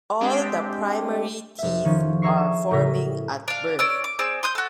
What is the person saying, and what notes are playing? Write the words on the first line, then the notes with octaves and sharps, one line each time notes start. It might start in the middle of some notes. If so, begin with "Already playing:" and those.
All the primary teeth are forming at birth.
G#3 C4 D4 G4
F1 E5
D#3 F3 C#4
D4 G#4 E5 A#5 C#6 C7
E7
A2 C#3 G#4 A#4 A#6 B6
D4 F5
C#4 D5 D6 E6
D6
C4 G#4 D5 E6
C6 D#6 G6
F#4 A4